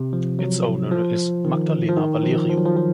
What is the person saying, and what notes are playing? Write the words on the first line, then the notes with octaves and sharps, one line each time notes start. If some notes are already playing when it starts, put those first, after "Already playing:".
Its owner is Magdalena Valerio.
Already playing: C3
F3
F#3
F3
D#3
F3
D#3
F3
F3
F#3
F3
F3